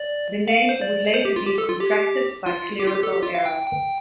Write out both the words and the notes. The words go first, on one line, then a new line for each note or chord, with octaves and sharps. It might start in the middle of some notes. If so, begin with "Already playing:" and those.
The name would later be contracted by clerical error.
Already playing: D5
F5
C5
D5
C5
G4
F4
G4
A4
F4
G4
F4
G4
F4
G4
A4
G4
F4
F5
G5
G5
G5